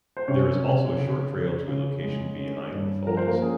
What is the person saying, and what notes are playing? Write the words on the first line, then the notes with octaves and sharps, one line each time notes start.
There is also a short trail to a location behind the falls.
C5
C3 C#4 C#5
C3
C#3
C#3
C#3
G#3
C#4
G2
F3 A#4
C5
A#3 A#4
C#4 G#4